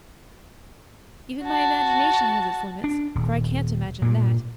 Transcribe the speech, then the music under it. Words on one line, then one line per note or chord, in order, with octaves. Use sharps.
Even my imagination has its limits, for I can't imagine THAT.
F#4 A5
D4
D#1
G2 A#2